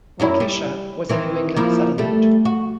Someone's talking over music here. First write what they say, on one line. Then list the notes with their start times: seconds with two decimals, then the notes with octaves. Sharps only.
Waukesha was a New England settlement.
0.20 F#2 C#4 E4
0.40 G3
1.09 D#3 E3 C4
1.56 F3 A#3 E4
1.98 G3 A3
2.45 F#4